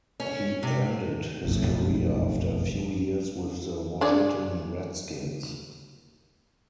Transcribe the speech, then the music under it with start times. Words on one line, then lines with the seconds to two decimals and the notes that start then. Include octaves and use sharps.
He ended his career after a few years with the Washington Redskins.
0.20 C#4
0.63 C3
1.44 F#1 B1 F2 A2
4.01 D4 G#4 D5